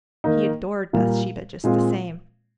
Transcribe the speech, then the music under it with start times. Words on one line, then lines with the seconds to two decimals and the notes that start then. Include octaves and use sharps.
He adored Bathsheba just the same.
0.24 D#3 A#3 D#4
0.93 A#2 G3 A#3
1.64 A#2 G#3 C4 F4